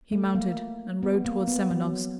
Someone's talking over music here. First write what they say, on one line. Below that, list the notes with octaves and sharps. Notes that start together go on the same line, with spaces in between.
He mounted and rode toward Semenovsk.
A3
A#3
B3
A#3
B3
F#3